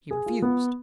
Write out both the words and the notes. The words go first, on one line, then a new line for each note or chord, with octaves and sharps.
He refused.
G#4
F4
B3